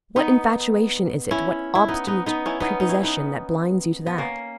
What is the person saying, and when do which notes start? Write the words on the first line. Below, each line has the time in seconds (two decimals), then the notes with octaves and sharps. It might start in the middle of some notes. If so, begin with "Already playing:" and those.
What infatuation is it, what obstinate prepossession, that blinds you to that?
0.16 B3 D#4
1.31 C#4 E4
1.75 E4
1.88 B3 D#4
2.07 B3 D#4
2.26 B3 D#4
2.46 C#4 E4
2.60 B3 D#4
2.81 D#4
2.89 C#4 E4
3.03 B3 D#4
4.06 B3
4.18 A#3 C#4